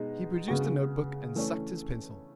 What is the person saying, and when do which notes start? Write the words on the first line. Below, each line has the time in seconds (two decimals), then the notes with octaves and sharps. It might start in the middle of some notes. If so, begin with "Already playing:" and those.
He produced a notebook and sucked his pencil.
Already playing: B2 G#3 D#4
0.48 C#3 G#3 B3 F#4
1.35 E3 A3 C#4